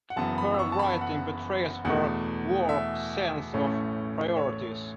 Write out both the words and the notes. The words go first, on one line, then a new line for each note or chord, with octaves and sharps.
Her writing betrays her warped sense of priorities.
F#5
F#1 F#2 E3 B3 A5
B5
E6
C#6
A5
B5
F#5
E2 B2 A3 F#5
E5
A1 A2 A3 C#4
C#5